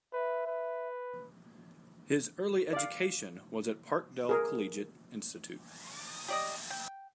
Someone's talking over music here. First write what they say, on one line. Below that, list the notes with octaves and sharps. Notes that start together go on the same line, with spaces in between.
His early education was at Parkdale Collegiate Institute.
B4 E5
B4
D5 F5
G#4 A#4
G4 D5 D#5
G5